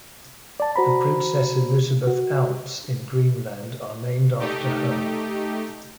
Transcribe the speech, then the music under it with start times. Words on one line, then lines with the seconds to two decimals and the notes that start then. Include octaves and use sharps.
The Princess Elizabeth Alps in Greenland are named after her.
0.60 D5 A5
0.76 F#4 C5 A#5 B5
2.07 F#4
4.39 A3 D#4 G4